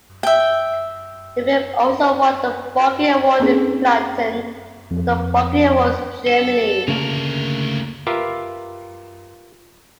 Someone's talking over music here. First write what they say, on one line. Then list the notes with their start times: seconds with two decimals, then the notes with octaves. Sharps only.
The film also won the Bogey Award in Platin from the Bogey Awards, Germany.
0.23 E5 G5
3.40 A#3 C4 C#4 D#4 G#4 A4
4.91 F2
6.27 A4
6.88 D2 C#3 A3 A#3 A#4
8.07 F4 G4 A#4 B4 E5